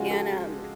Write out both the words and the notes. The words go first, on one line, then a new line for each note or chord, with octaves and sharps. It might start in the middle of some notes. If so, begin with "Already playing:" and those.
and, um
Already playing: C#3 F3 G#3 F4 F#4 G#4
G4 A4